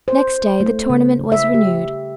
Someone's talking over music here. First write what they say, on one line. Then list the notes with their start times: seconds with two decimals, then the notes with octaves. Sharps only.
Next day the tournament was renewed.
0.08 C5
0.60 A3
0.90 C#3
1.32 E5
1.54 G4